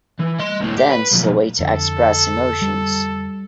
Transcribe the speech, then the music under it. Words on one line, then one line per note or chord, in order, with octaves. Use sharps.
Dance is a way to express emotions.
E3
D#5 C6
C#2 A2
G4
B4
B1 F2
F2 D3 A4
G3